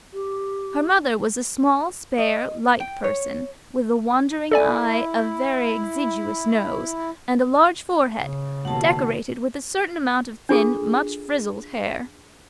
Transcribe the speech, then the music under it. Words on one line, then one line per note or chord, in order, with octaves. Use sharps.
Her mother was a small, spare, light person, with a wandering eye, a very exiguous nose, and a large forehead, decorated with a certain amount of thin, much frizzled hair.
G4
D#5
G5
C#5
E4 A4 D5 G#5
C#3
D#2 B2 F#5 A5
D4 F4 G#4 A4